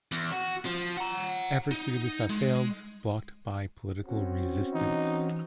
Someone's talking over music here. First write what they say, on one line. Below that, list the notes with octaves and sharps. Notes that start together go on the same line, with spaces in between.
Efforts to do this have failed, blocked by political resistance.
E2
F#4
F3
F#5 A#5
D#4
G#3
C4 C#4 F#4
E3 D#4